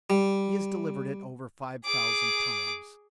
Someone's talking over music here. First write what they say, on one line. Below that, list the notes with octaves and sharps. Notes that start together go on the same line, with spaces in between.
He has delivered it over five thousand times.
G3
G#4 D6